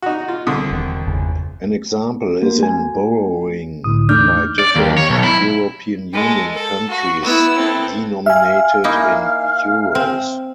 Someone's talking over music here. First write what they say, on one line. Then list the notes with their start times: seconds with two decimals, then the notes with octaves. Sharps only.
An example is in borrowing by different European Union countries denominated in euros.
0.02 D#4 F#4
0.28 F4
0.47 C2 D3 D#6
0.71 E1 D#3
1.07 G1 E2 C#3
2.42 A#3 F#4
2.59 A3 G#5
3.84 C2 A2 D3 D#6
4.09 E2 A3 D4 D#4 D6 F6 G6
4.59 D5
4.76 D#2
4.98 C#5
5.10 B1
5.24 E4
6.13 G#3 A4
6.54 A4
6.89 F#4
7.24 B3 E4 E6
7.56 C4 A4
8.26 E5 F5 G#5
8.84 A#3 D#4 E4
9.95 C4